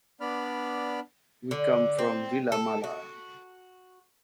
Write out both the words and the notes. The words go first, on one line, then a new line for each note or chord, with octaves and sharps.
We come from Vilamalla.
B3 D4 D5 B5 F6
D3
C4
A4
F#4